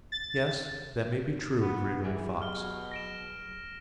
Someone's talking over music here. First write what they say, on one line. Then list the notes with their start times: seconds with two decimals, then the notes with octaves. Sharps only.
"Yes, that may be true," agreed Running Fox.
0.12 A6
1.60 B3
2.03 E3 F#3 G4 G#4
2.42 B2 F6 G7
2.92 A#6 D7 E7